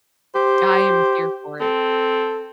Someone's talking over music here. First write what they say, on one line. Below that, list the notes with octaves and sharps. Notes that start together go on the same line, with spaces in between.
"I am here for it."
G4 C5
C4 A4